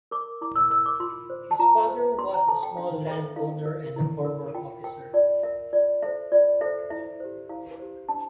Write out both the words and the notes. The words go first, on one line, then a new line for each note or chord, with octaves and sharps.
His father was a small landowner and a former officer.
A#4 D6
E4 D6
E6
A#4 E6
D6
F4 C6
C5
A5
F4 A#5
C5
D4 C6
A#5
A4 C5 A5
G5
D4 F5
A4 C5 E5
E4 F5
A#4
E4
A#4
F4 G5
A#4 G5
F4 D5
A#4 E5
F4 D5
A4 C5 E5
F4 D5
A4 C5 E5
E4 E5
G4 C5
E4 F5
G4 C5
D4 A5